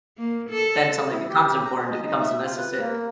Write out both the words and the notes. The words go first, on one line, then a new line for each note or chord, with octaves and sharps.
Then something becomes important, it becomes a necessi
A#3
A4
E4
G4
G4
A#5
G#4
D#5
D#4
E5
F4
B4
A#3